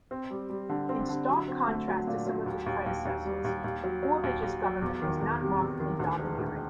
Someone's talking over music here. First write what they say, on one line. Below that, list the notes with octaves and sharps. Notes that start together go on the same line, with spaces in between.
In stark contrast to some of his predecessors, Borbidge's government was not markedly domineering.
C4
G3
G3
D3
C4
D3
F#3
C4
A3
F#3
A#2
F#3
D#2
D#2
D#2
D#2
G3
D#2
D#2
F#3
F#3
D#2
D#2
F#3
E2
D#3
E2
C3
E2
D#3
D2
E1
D2